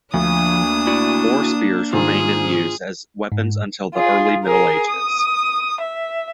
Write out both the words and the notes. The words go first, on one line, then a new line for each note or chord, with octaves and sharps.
Boar spears remained in use as weapons until the early Middle Ages.
D2 F3 A#3 D4 D#6
E4 F#4 D5
G#2 D#3 F4 G#4
G#2
F4 G#4
G#4 A#4
D#6
E5